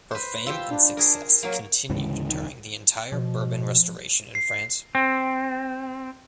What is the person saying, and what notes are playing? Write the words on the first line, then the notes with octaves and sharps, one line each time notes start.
Her fame and success continued during the entire Bourbon Restoration in France.
B4 C5
F4 G4 E6
D4
G#4 A#4
F#3 A#3 A#4
D2 G#2 C#3 E3
F1 C2 D#3
B2 F3
C7
C4